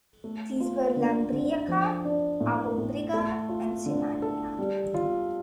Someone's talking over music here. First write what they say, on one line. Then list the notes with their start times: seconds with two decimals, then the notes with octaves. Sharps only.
These were Lambriaca, Avobriga, and Cinania.
0.24 A3
0.60 F4
0.96 D3
1.32 D3
1.68 F3
2.05 D4
2.41 A2
2.78 A2
3.14 A3
3.49 F4
3.86 D3
4.22 A4
4.59 G3
4.94 F4